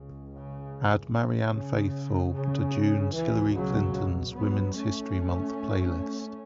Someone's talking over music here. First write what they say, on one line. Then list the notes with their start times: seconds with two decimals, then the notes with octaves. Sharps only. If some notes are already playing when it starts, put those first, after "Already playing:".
Add Marianne Faithfull to june's Hillary Clinton's Women's History Month Playlist.
Already playing: C#2 C#3
0.32 C#3
1.53 C#3
2.34 C#3
3.15 C#2 B2 E3
3.55 C#3 F#3
4.36 F#3 B3
4.76 A3 C#4